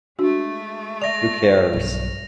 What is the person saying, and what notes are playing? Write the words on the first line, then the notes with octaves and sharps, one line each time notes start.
Who cares?
G#3 A3 D4 F#4
D5 E5 A#6 F7
B1 G2